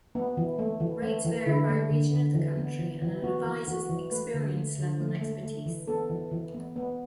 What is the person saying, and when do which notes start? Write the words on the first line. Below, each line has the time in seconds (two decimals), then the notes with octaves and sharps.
Rates vary by region of the country and an advisor's experience level and expertise.
0.15 B3
0.37 E3
0.59 A3
0.80 E3
1.03 A3
1.25 E3
1.46 D3 E4
1.69 A3
1.90 D3
2.13 D3
2.34 E3
2.57 B3
2.79 E3
3.02 E3
3.23 B3 F#4
3.45 E3
3.68 E3 F#4
3.89 E3
4.11 A3 B4
4.34 D3
4.56 A3
4.78 D3
5.00 A3
5.22 A3
5.43 A3
5.66 E3
5.87 B3 A4
6.10 E3
6.31 E3
6.54 B3
6.76 B3